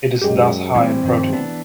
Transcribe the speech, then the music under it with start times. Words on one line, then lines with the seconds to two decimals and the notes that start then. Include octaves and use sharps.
It is thus high in protein.
0.21 F#2 G#3 G4
0.75 A2 E3 G3 C4
1.04 G2 D#3 F3
1.33 E3 B3 D4